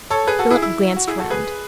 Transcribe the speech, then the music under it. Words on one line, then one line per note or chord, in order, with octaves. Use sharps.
Philip glanced round.
A4 C#5
G#4 B4
F#4 A4
E4 G#4
E4
F#4
E4 G#4
F#4 A4
G#4 B4